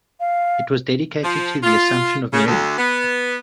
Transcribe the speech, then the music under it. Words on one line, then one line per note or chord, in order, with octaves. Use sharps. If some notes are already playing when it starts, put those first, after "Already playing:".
It was dedicated to the Assumption of Mary.
F5
F3
F4
C#3
D2
B3